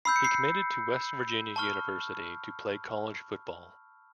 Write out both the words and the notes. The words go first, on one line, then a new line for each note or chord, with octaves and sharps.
He committed to West Virginia University to play college football.
B5 E6 G6 C7
C#7
C7
A5 C#6 F6